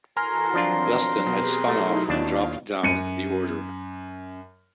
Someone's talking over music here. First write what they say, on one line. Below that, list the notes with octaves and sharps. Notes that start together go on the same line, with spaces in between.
Leston had spun off and dropped down the order.
E3 F#4 A4 A#4 G#5 A#5 C6 F6
F3 F#3 C4 D4 F4
B2 G4 G#4 B4
F#3 A3 D#4 E4
D#2 D4 F4 F5 A5
F#2 C#7 D#7